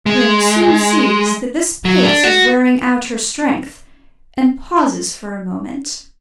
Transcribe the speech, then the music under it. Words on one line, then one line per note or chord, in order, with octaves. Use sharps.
Grim soon sees that this pace is wearing out her strength, and pauses for a moment.
G#3
F#3
D4
F#4